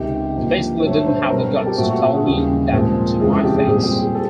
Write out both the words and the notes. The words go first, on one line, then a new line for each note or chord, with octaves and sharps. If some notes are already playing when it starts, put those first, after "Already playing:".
They basically didn't have the guts to tell me that to my face...
Already playing: C#2 C3 D#3 G4
G2 D3 F3 A#3
C5
G2 D3 F#3 A3 C#5
C5
B2 G3 C4 A#4
A4
G4
A#2 F#3 A3 C4 F#4
F#4
G#4
D#2 C#3 E3 G3
A#2 F3 G#3 C4
F2 C#3 E3 G#3 G#4
A4
G4
G#4
A#2 G3 C4 G#4
G4
G#4
A4